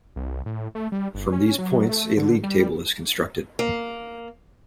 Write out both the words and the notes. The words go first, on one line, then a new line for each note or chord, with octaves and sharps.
From these points a league table is constructed.
C2
A2
A3
G3
G1
C#4
F#3
A3
D3
G3
A#3